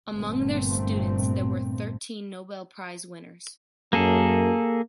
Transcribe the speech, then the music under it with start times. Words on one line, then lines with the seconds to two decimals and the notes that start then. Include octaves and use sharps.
Among their students there were thirteen Nobel Prize winners.
0.10 G1 G2 A#2 A3 C4
3.93 F#2 A#3 G#4 A4